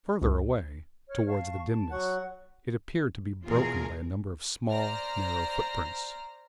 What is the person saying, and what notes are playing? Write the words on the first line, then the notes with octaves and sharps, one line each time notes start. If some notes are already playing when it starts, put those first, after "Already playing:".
Further away towards the dimness, it appeared to be broken by a number of small narrow footprints.
C#2
C#5 F6
F5 A5 C#6
A5
F#3 F#5 C#6
E2 G#2 B2 F4 G#4 A#4
C5 D5 A#5 F6 A#6